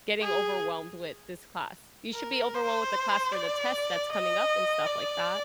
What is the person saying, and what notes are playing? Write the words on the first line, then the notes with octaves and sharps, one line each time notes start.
getting overwhelmed with this class. You should be overwhelmed with the class for the test that's coming up, and stuff like that.
G#4
A#4
C5
D5
D#5
D5